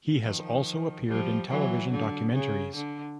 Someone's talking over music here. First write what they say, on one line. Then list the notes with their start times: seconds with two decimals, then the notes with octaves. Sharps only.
He has also appeared in television documentaries.
0.22 D#3 F3
1.06 F3 G3
1.48 E3 F#3
1.91 D3
2.33 C#3
2.76 D3